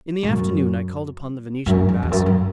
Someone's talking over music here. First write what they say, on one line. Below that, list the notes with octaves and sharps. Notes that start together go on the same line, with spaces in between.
In the afternoon I called upon the Venetian ambassador.
G#2
F#2
F#2
E2
E2
F#2
F#2